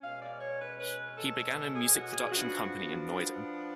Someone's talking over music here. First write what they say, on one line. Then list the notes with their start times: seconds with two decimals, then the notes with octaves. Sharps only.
He began a music production company in Noida.
0.02 B2 G#3 C#4 F5
0.21 D5
0.39 C#5
0.59 B4
0.78 B4
1.17 A4
1.74 G#4
1.94 F#4
2.12 G#4
2.31 F3 B3 D4 F#4